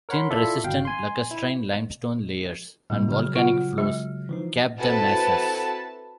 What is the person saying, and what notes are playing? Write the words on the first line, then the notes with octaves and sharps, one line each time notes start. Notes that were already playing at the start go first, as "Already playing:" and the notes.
Thin resistant lacustrine limestone layers and volcanic flows cap the mesas.
A#4 C#5 F#5 B5 C6
E4 F4 A4 D5 E5
G1 B2 F5 G5
G#5 C6
E4
A2 C3 G3 A#3
C#3 F#3 F6
F4 F#5
G#3
E3 F3 D#4
C4 E4 F#4 A4 B4 A5